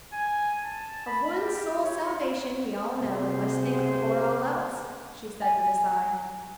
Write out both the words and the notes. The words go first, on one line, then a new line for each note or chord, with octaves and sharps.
"Of one's soul's salvation we all know and must think before all else," she said with a sigh.
G#5
A5
B5
G4
C#5
C3 F#3 G#4 C5
G#5